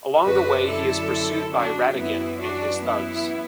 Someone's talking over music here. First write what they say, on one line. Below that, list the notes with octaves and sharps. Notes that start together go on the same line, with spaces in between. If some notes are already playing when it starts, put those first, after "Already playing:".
Along the way he is pursued by Ratigan and his thugs.
F#2 D3 F#4 B4
E4 A4
D4 F#4
F#2 E3 B3 E4
D4 F#4
B3 E4